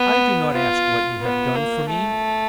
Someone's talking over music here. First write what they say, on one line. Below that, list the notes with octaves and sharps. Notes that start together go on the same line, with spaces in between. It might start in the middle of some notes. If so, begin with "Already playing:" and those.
I do not ask what you have done for me.
Already playing: B3
F4
B3
A#3
A3